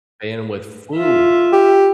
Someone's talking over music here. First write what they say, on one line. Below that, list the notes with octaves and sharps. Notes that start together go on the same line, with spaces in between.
paying with food,
F4 E5
G4